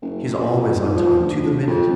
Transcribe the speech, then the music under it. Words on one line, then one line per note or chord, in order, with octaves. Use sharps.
She's always on time, to the minute.
F#1
A#2
F2
G#2
F3
D2
F2